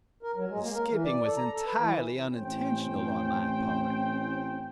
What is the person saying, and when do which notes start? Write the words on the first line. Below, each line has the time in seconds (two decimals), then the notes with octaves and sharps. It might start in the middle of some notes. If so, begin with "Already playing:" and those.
The skipping was entirely unintentional on my part.
0.23 A#4
0.35 F#3
0.49 G#3
0.62 A#3
0.75 A#4
0.90 E3
1.05 D5
1.25 A4
1.37 A#5
1.53 A4
1.66 B4
1.78 E3
2.33 A1 A2 C4 C#4 C5 G5